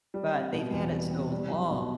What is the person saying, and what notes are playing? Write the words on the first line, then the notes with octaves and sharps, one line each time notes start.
but they've had it so long.
G3
C4
B2
E2
G3
C4
G3
B1
B2